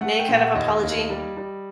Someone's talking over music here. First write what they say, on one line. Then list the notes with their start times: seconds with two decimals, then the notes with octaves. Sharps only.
in any kind of apology?
0.01 A3 F#5
0.19 G5
0.29 A#2
0.37 F#5
0.55 D#2 D#5
0.83 D#2
1.10 G3
1.37 G3